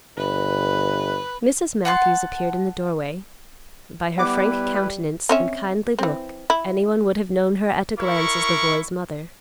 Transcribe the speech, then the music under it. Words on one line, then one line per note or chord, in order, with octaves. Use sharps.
Mrs. Matthews appeared in the doorway; by her frank countenance and kindly look anyone would have known her at a glance as the boy's mother.
G1 B4
F#5 A5 C6
G3 B3 E4 B4 F#5 D6
C4 C#4 E5
E3 C4
E4
E4 A#4 C#6